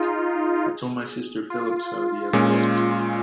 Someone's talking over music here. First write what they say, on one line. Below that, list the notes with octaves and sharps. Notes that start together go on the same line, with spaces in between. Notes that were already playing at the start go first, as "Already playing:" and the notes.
I told my sister Phillips so the other day.
Already playing: D#4 F4 G#4
F4
A#2 G#3 C#4